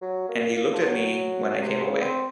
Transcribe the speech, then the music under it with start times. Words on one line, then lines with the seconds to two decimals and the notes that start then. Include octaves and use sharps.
And he looked at me when I came away!
0.02 F#3
0.28 A#3
0.55 A#3
0.74 F3
0.82 F#3
1.62 C3
1.83 C#3
2.02 C4